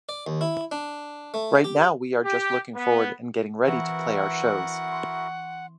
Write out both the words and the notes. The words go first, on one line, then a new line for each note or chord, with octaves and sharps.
Right now we are just looking forward and getting ready to play our shows.
D5
D#2
E4
D4
A3
G4
G4
B3
E3 C4 E4 F#4 A#4 F#5
C6 C#6